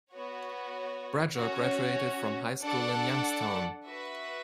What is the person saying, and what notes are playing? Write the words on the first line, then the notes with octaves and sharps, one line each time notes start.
Bradshaw graduated from high school in Youngstown.
B3 F#4 C#5
C#4 F#4 C#5
D4 A4 D5 F#5 A5
F#4 B4 E5